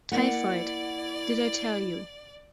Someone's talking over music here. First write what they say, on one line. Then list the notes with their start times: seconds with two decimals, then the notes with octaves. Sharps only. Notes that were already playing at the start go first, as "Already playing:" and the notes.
Typhoid -- did I tell you.
0.12 A#3 E4 D5 F#5